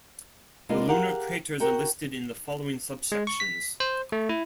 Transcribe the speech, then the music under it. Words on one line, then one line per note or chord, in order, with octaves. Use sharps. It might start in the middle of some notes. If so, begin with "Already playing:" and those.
The lunar craters are listed in the following subsections.
G#3 A#3 B3 D4 F4
G4 G#4 A#4 F5 F#5
F#4 A#4 G5
G#3
C#6
B6
C5
A3
E4